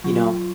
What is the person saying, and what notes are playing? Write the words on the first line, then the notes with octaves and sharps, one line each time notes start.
You know
F#3 F4